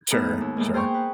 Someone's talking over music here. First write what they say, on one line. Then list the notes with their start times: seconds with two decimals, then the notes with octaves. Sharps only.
Sure, sure.
0.11 A2 B3 D#4 A#5 B5
0.29 G#2
0.41 D#2
0.57 A2 G#3 A#3
0.73 G#4 C5 G5 A#5 C6 C#6
0.94 B4